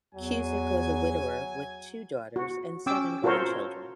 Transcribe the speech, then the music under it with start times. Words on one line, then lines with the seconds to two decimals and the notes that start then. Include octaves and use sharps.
Cusick was a widower with two daughters and seven grandchildren.
0.15 E2 F#3 G#5
2.36 F#4
2.86 C#4 G5 D6 E6
3.23 F4 F#4 A4 A#4 C5 C#5